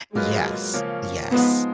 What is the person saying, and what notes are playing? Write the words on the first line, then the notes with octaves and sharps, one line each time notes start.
Yes, yes.
F#3 G#3 A#3 F4 B4 D#5
C#3 F3 A#3 C#4
F3 G#3 B3 D#4